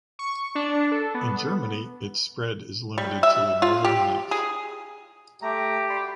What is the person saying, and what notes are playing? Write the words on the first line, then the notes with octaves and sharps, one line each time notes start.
In Germany its spread is limited to the northern half.
C#6
D4
A4
B3
G3
E5
F4
G4
G#4
A3 G4 A#5
D5 B5 C6
F#4